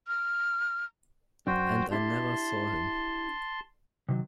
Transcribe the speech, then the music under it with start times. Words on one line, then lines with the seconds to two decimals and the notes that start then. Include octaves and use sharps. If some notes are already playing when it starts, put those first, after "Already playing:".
And I never saw him!
0.08 F6
1.47 F#2 D4 F#4 C5 G5
1.91 D4 E4 G4 A5 C6
4.09 C3 D#3 F#3